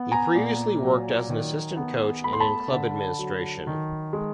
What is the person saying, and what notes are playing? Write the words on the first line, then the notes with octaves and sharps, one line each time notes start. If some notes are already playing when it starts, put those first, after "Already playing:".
He previously worked as an assistant coach and in club administration.
Already playing: B3
G#5 A#5
A#2
F#3
D#3
B3
A3 B5
C6
A5 B5
D3
F#3
D#3
G#3